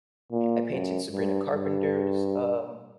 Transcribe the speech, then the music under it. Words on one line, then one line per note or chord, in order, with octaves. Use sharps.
I painted Sabrina Carpenter's, um,
A#2
F#2
G2
G2